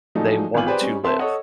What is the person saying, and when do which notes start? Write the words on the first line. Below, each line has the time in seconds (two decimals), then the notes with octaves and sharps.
They want to live.
0.15 F3 F#3 G#3 A3 D4 D#4
0.54 G#1 E3 B3 F4 G#5 F#7
0.66 G4 G#4 B4 C5 D5 G#5
0.81 G3 C#4 D#4
1.04 C4 A#4 C5 E5 A5 C6
1.19 A4 C#5 D#5 F#5